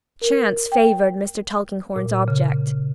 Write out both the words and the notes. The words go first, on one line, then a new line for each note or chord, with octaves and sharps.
Chance favored Mr. Tulkinghorn's object.
A#4
G5
A#2
C#3